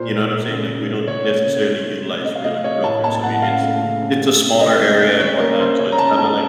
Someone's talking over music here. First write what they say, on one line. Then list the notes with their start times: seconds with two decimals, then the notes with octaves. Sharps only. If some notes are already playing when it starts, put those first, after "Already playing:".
you know what I'm saying, like, we don't necessarily utilize realer realtors, I mean, it's it's a smaller area and whatnot, so it's kinda like
Already playing: A#2 C5
0.09 A#3
0.28 A#2
0.48 C#3
0.67 C#3
0.87 A3
1.07 C#3 C#5
1.27 A#3
1.46 C#3
1.66 C3
1.85 A3
2.05 C3
2.25 C3 D#5
2.35 F5
2.44 A3 D#5
2.64 C3 C#5
2.84 A2 A5
3.04 A#3 A5
3.15 A5
3.23 A2 F#5
3.42 C#3 F5
3.63 A3
3.82 C#3
4.02 C3
4.22 A3
4.41 C3
4.61 C#3 D#5
4.80 A3
5.00 C#3
5.20 C#3 C#5
5.39 A#3 A#4
5.59 C#3 C5
5.79 C#3 C#5
5.92 A#5
5.98 C#3 A5
6.18 A3 A5